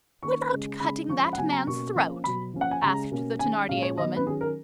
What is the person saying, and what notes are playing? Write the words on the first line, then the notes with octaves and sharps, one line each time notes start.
"Without cutting that man's throat?" asked, the Thenardier woman.
D#3 A#3 C#4 C#6
C#3 G#3 C#4
C#3 G#3 C#4 B5
F3 G#3 C#4 C#6
B5
F#5
C#3 F#3 B3 G#5
A#5
B2 A#3 C#4 C#6
F3 A#3 C#4
B2 F#3 B3 B5
F3 A#3 C#4
F#5
G#5
C#3 G#3 C#4 A#5
B2 A#3 C#4
D#3 G#3 C#4 G#5
A#2 G#3 C#4 F5
C#5
D#3 F#3 B3 D#5
B4
D#3 F#3 C#4 G#4
A#4